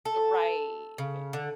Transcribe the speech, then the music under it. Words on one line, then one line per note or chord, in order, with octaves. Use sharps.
Right, eh
A4
C#3
D3